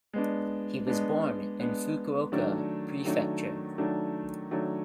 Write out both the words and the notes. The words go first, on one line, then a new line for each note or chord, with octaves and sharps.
He was born in Fukuoka Prefecture.
G#3 B3 D4
G#3 B3 D4
G#3 B3 D4
D#3 F#3 A3 D4
D#3 F#3 A3 D4
D#3 F#3 A3 D4
D#3 F#3 A3 D4